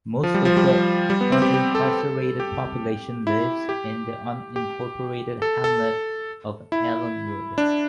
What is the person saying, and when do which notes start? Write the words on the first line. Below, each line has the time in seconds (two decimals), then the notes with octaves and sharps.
Most of the unincarcerated population lives in the unincorporated hamlet of Allenwood.
0.23 F3
0.34 G3
0.45 F3
0.57 G3
1.10 G3
1.21 B3
1.32 C4
1.42 G4
1.54 G4
1.75 A4
2.40 G4
3.27 E4
3.69 G4
4.56 G4
5.42 A4
5.64 A4
6.72 E4
7.58 D4